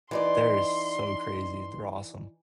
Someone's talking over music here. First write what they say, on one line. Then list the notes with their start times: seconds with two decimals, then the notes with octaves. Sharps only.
They're so crazy, they're awesome.
0.11 E3 D#4 D5 C6